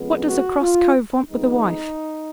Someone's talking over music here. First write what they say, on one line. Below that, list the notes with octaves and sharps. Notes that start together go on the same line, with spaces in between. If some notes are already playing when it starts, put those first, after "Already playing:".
What does a cross cove want with a wife?
Already playing: F2 C#3 G#3 B3
F#4
F4
F2 D#3 G#3 B3 D#4